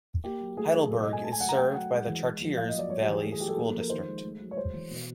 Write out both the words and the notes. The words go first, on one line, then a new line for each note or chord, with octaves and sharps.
Heidelberg is served by the Chartiers Valley School District.
A#3 G4
F#3
A3 G#4
F#3 G#4
B2 A4
D#5
G#3
G#5
A3 A5
G#5
F#3 F#5
A#5
A3 G5
F#3 F#5
G#3
E3
G#3
F3
A#3 F5
D#5
F#3
D5
G3 C#5
G4
E3
G#4
A3 A4
G#4
F#3 G4
A4
A#3 G#4
A4
F3
A#4
D#3 C5
G#3
A3
F#3
C#5
G#3 C5
E3
B2